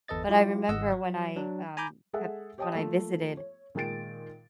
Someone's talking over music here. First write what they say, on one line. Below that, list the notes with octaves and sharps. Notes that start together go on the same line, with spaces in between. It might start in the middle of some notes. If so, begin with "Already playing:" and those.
but I remember when I, um, ha when I visited.
G1 E2 A4 B4 D#5 A6
F#3 E4 F4 G4
G#1 G#2 D#5 F#5 E6
F#3
F#3 D4
G#5 A#5 B5 D6 G6
G#3 G#4 A4 E5 F#5
G4 C#5 D#5 G5 A5 D#6
F3 A3 A#3
C#5
A#2 D#3 G#3 G5 A6 D7